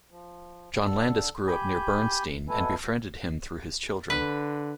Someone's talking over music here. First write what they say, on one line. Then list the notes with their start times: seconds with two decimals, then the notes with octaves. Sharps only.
John Landis grew up near Bernstein, and befriended him through his children.
0.10 F3
0.84 D3 A4
1.48 G4 G#5 B5 G6
2.49 B2 A3 A4 B4 G#5
4.10 D3 B4